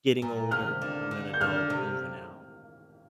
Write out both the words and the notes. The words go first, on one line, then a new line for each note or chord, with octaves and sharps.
getting older, becoming an adult, moving out,
A#2
C3 F6
D3
D3
G6
D3 F6
C3